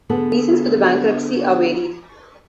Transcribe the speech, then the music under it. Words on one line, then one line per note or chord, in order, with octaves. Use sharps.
Reasons for the bankruptcy are varied.
D3 B3 G#4 A4